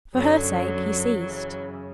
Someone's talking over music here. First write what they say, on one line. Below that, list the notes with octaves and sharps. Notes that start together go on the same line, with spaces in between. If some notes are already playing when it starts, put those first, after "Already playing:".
For her sake he ceased.
F#2 D3 F#3
F#2 C#3 E3